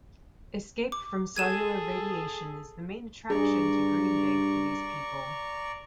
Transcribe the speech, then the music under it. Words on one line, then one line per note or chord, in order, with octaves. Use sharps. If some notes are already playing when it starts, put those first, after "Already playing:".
Escape from cellular radiation is the main attraction to Green Bank for these people.
D6
G#4 A4 G#6 D#7 E7
G2 G#4 D5 A#5 C#6